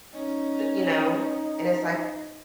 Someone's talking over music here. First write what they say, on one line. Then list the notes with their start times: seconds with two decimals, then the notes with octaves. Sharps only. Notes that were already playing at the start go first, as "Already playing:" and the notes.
Th You know? And it's like
0.14 C#4 D#4